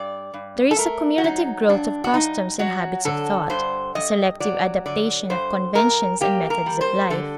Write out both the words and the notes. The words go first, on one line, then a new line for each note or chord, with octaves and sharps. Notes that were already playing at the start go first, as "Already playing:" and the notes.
There is a cumulative growth of customs and habits of thought; a selective adaptation of conventions and methods of life.
Already playing: G2 D5
G2
A4
A3 A#4
F#4
F#3 D#4
G2 D4
F#4
G2 D#4
F#3 F#4
D3 A4
G2 C5
G2 D#5
F#3 D5
D3 D5
G2 C5
G2 A#4
A#3 G4
A#4
G3
C5
D3 A4